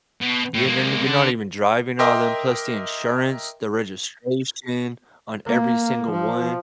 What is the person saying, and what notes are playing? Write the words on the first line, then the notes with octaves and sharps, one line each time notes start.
Yeah. You're no you're not even driving all them, plus the insurance, the registration on every single one,
B2
A2
G#3 A#3
D3 D4
A#4 D#5 E5 G5 C6 D6
A#3
F3